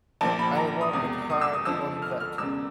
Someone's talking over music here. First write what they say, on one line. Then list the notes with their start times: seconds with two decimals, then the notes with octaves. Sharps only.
I worked hard on that!
0.21 A#1 A#2 F3 A5
0.39 B5
0.57 A#5
0.81 D#6
0.93 E1 E2 C3 D#6
1.30 D#6
1.41 E6
1.53 D#6
1.65 F2 D3 F3 E6
2.02 F6
2.20 F6
2.38 E1 E2 C#3 E6